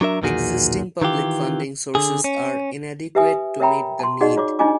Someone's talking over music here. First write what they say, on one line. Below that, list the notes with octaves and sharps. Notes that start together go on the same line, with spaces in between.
Existing public funding sources are inadequate to meet the need.
F#3 D4 A#4 E5
B1 E2 A#2 D#3 F#4 G#4
D#3 E3 F4 G4
D3 G#4
C#4
G4 B4 E5 G#5 D#6
A#4 C#5 E5 G5 A#5 B5
A5 C6
D#4 F#4 G#4 D5 D#5 F#5
F4 C#5 D6
D4 D#4 F4 D#5 G#5 D6